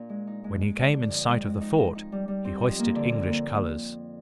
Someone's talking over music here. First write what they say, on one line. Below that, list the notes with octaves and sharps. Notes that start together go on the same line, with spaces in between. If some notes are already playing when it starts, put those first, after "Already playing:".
When he came in sight of the fort he hoisted English colors.
Already playing: A#2 D4
G#3
D#4
G#3
G#3
D3
D3
F2
G#3
G#3
D#4
D#4
D#4
G3
G3
C4
F2
A#3
D3
A#3
A#3